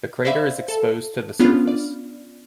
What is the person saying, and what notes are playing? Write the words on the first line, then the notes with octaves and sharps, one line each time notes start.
The crater is exposed to the surface.
C5 D5 E5 F5 B5
A4 A5
B3 C#4 D4 F4 B5 F6
D5